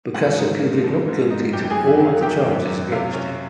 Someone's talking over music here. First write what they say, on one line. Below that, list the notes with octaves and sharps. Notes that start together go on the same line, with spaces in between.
Bokassa pleaded not guilty to all of the charges against him.
G#2 F#4 F#5
D#4
A#3
F3
G#2
D#4
F#2 G4 G5
G5
G#4 G#5
F#2
E5
F#3
F5
D#3 G4 G5
F#2
F#2
C3 F5
C#4